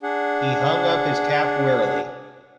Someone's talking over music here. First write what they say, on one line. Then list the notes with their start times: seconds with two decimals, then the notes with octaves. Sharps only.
He hung up his cap wearily.
0.03 D4 G#4 F#5